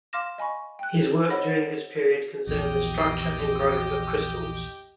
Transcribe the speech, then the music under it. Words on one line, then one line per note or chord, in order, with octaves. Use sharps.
His work during this period concerned the structure and growth of crystals.
F5 C6 D6 F6 A#6 E7
D#5 G#5 B5 C#6
G5 F#6
C5 C#5 D#5 F#5 B5 A#6
A#1 E2 G4 D#5 G5